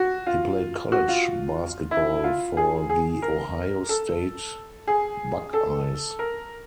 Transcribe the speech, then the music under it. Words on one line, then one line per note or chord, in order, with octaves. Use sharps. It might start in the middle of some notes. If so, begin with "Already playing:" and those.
He played college basketball for the Ohio State Buckeyes.
Already playing: F#4
F4
F#4
F4
E4
F4
G#4
G#4
A#4
A4
G#4
A4
A#4